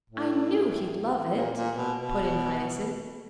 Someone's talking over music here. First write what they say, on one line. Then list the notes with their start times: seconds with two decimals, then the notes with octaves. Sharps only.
"I knew he'd love it," put in Hyacinth.
0.10 A2
1.35 A#2
1.56 A#2
1.77 B2
1.97 B2